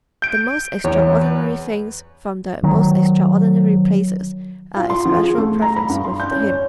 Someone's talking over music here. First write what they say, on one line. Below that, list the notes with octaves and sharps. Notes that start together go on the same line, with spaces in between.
The most extraordinary things from the most extraordinary places are especial preferences with him.
G6 D7
E2 C3 C#5
B4
D#3 F#3
F4
C6
F3
G#4
A3
A#5
B5
G2
C6
G6
C#4
C#5